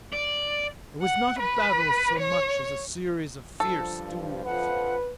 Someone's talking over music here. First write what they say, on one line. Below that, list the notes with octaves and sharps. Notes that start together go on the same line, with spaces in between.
It was not a battle so much as a series of fierce duels.
D5
F#5
B4
C#5
G2 F3 A4
F2 D3 F3 B4 F#5